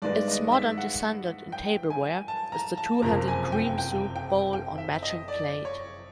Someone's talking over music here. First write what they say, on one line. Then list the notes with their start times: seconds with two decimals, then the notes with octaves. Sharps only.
Its modern descendant in tableware is the two-handled cream soup bowl on matching plate.
0.02 G2 D#3 G#3 B3 D5
0.28 D#5
0.52 E5
0.78 F#5
1.52 G5
1.90 G#5
2.28 A5
2.52 A#5
2.77 A5
3.02 F#1 F2 C3 F3 A#3 A#5
3.28 G#5
3.52 G5
3.78 G5
4.16 G5
4.53 G5
4.78 E5
5.03 D#5
5.28 D5
5.65 C#5